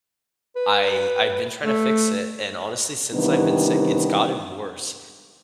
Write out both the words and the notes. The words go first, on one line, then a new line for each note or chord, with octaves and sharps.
I I've been trying to fix it. And, honestly, since I've been sick, it's gotten worse.
B4
A3
C3 D#3 E3 G3 B3 D4